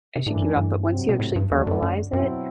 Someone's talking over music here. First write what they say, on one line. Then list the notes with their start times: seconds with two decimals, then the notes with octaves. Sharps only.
I should keep it up, but once you actually verbalize it,
0.16 C3
0.26 A2 E3 A3 D4
0.36 G2
0.42 F#2
0.57 G2
0.88 C3 F#3 C4
1.09 B2
1.19 A2
1.36 G2
1.51 E2 D3 F#3 A3 D4
1.67 F#2
1.82 F#2
2.13 F#2 B2 F#3 C4 E4